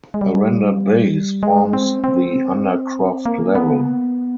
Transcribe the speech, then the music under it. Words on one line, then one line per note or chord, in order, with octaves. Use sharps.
A rendered base forms the undercroft level.
G#3
G3
G#3
C4
C4
A#3
B3